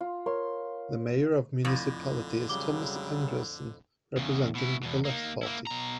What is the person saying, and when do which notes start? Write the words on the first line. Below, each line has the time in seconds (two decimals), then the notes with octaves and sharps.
The mayor of the municipality is Thomas Andresen, representing the Left party.
0.01 F4
0.26 A#4 C#5 C6
1.65 F2 A2 D3
2.49 C#3 F#3 G3 D6 G7
4.17 E2 C#3
4.55 B2 E4
4.83 E2 B2
5.05 A#3 D#4
5.43 A#3 E4
5.67 B2 A#5